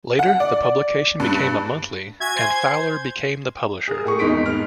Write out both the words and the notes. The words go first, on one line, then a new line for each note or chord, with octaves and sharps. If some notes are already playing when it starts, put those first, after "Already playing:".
Later, the publication became a monthly and Fowler became the publisher.
F#5
D5
G2
F#4 E5 G#5 G#6
C5 C6
G#4 A#4
A2 G#4 C#6
G#1 E2 D#4 C6 B6 D7
G#2 B3 F6